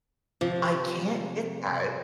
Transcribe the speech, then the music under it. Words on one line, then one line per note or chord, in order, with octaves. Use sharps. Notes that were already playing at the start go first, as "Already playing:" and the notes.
I can't get that.
C3 F3